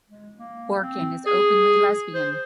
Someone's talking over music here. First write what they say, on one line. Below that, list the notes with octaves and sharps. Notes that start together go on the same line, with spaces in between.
Orkin is openly lesbian.
G#3
A#3
C4
G#4
C5